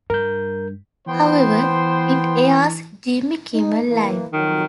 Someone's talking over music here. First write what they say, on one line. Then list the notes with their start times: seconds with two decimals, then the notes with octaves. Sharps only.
However, it airs Jimmy Kimmel Live!
0.10 G2 A#4 G6
1.07 E3 B3 C5 G5 C6
3.53 D#4
3.88 E3 A#3 B4
4.33 F2 D#3 F#3